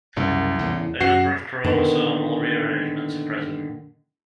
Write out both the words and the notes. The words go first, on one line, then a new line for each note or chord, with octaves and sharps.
A number of chromosomal rearrangements are present.
C2 F#2 A#2 C#3
E2 A2 C#3
F#2 F#4 C7
A#2 D3 D#3 B3